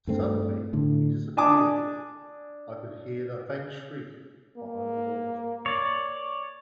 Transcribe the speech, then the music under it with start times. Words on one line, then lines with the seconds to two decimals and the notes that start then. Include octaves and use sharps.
Suddenly, he disappeared, and I could hear a faint shriek behind the walls.
0.07 G2 A3 C4
0.73 A2 D3
1.37 D4 G#5 A5 D6 D#6
4.57 A#3
5.66 C#5 D5